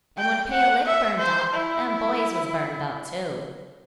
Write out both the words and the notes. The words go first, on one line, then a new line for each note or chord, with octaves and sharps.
"And when Pale Lick burned up, them boys was burned up, too."
G5
F#5
E5
C5
E4